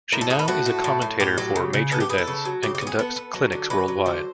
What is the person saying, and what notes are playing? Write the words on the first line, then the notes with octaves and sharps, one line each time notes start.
She now is a commentator for major events, and conducts clinics worldwide.
A2 A#4
A4
A3 G#4
B4
A2 F#4
A3
A2
A2
A2 G4
F#3
C#3
C#3
B3 A4
G4
B3 G#4
A4
C#3
F#3
C#3 G4
G4
B3
G#4
B3 A4
B3
F#3
D3
F#3 B4
F#3
D3 C5